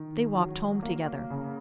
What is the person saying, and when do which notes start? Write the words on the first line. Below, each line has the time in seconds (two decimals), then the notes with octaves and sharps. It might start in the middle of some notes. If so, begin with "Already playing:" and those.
They walked home together.
Already playing: D#3
0.35 F#3
0.83 A#3
1.30 C#3